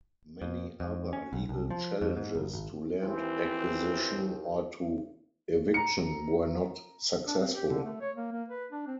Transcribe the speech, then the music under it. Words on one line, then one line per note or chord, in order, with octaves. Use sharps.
Many other legal challenges to land acquisition or to eviction were not successful.
F2
F2
C#4
B1
C2
F3
F2
G#2
F#1
G#1
D#2 E3 C4
A#5 C#7
D4
C4
G4
D3
A3
C#5
A#3
A#3
B4
D4
C4